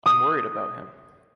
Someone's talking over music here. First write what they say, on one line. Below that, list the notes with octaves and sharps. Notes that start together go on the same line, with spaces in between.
I’m worried about him.
D#6